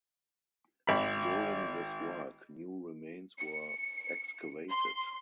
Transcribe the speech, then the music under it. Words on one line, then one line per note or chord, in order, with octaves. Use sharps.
During this work new remains were excavated.
G#1 B5
C#7
C6